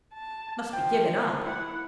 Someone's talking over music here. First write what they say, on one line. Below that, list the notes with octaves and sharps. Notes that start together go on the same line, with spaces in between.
"Must be given up?"
A5
F3 G5
E4 F#5